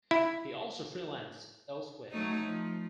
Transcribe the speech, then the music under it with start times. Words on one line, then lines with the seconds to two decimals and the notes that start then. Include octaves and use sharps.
He also freelanced elsewhere.
0.11 E4
2.11 F#3 A3 D#4
2.44 F3